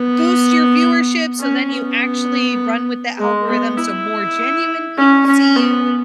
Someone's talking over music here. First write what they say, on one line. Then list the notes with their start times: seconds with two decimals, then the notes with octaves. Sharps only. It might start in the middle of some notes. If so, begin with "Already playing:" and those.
boost your viewership, so then you actually run with the algorithm, so more genuine people see you,
Already playing: B3
1.40 C#4
1.69 B3
3.19 G#3
3.48 B3
3.78 E4
4.97 C#4
5.26 C#4
5.56 B3